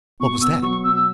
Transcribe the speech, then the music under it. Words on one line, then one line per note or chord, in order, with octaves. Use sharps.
What was that?
B2 C#6
B3 E6
F#3 C#6
B2 E6
E6